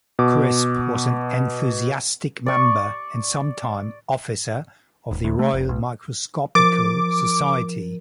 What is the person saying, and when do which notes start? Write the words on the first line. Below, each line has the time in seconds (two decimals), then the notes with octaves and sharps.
Crisp was an enthusiastic member, and sometime officer, of the Royal Microscopical Society.
0.19 B2 D6
2.46 D5 C#6
5.11 D#1
5.24 D2
5.39 A3
5.53 F1
5.69 B1
6.55 F3 A#4 D6 A6